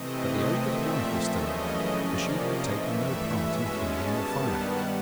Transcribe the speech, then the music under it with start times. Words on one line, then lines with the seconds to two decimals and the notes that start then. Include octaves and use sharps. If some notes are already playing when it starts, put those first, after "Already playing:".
But the ogre's wife was still alive, for she had taken no part in kindling the fire.
Already playing: C3 E3 A3 C4 D#5
0.50 A#2 F3 A3 C4 E5
1.21 F#2 C#3 E3 A3 C#4 D#5
1.93 C3 F3 A#3 C#4 D5
2.29 D#5
2.65 G2 E3 A3 E5
3.36 B2 G#3 C#4
3.72 A5
4.07 G2 D#3 G3 B3
4.43 F#5